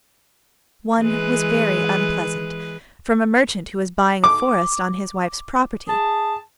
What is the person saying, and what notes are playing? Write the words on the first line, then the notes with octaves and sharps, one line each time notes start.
One was very unpleasant, from a merchant who was buying a forest on his wife's property.
E3 G#3 B4
D6
G#4 A5